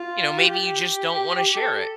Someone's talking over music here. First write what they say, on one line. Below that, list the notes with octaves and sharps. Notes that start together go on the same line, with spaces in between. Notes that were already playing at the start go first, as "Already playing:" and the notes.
You know, maybe you just don't wanna share it.
Already playing: F4
G4
A4